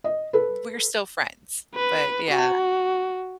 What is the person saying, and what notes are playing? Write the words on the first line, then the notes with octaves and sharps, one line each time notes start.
we're still friends, but yeah.
D#5
A4 B4
B4
F#4